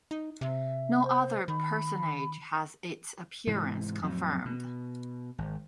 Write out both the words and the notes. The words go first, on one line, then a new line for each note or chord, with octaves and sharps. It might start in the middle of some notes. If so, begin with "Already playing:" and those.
No other personage has its appearance confirmed.
D#4
C3 E5
C5
D#3 B5
G#2 C3 E3
F2 A2 F#3
B2
G#1